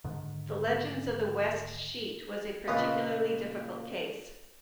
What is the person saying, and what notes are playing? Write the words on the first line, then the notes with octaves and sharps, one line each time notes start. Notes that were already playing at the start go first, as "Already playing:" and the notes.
The Legends of the West sheet was a particularly difficult case.
G#2 D3 D#3
A#2 C#3 A4 B4 D#5 F5